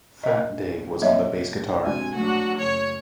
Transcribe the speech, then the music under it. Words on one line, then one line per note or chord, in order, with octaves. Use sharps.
'Fat' Dave was on the bass guitar.
A#4 D#5
F#3 A#3 C#5 D#5 E5
C3 G#3 D4 F#4 G#5
F#3 A3 D4 F#4
F#1 F#2 C#5